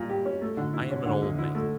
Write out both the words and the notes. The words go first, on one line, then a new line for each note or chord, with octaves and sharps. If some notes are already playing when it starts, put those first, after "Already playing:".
I am an old man.
Already playing: A#2 G3
G4
C#4
A3
D3
E4
C#4
D3
D2
E4
A3